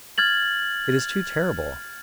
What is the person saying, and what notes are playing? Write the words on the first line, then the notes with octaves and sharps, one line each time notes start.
'It is too terrible!
F6 G#6 A6 F#7